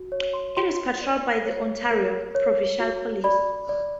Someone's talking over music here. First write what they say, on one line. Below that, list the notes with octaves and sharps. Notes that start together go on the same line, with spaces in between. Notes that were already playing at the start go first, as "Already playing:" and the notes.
It is patrolled by the Ontario Provincial Police.
Already playing: F#4
C#5
C6
F4 C6
D5
C#5
A#4
C#5
F#4
D5 B5
D5